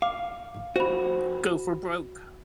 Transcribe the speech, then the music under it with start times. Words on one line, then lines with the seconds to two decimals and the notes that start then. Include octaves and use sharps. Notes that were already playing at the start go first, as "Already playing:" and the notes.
Go for Broke!
0.02 F5 D6
0.76 F#4 C5 B5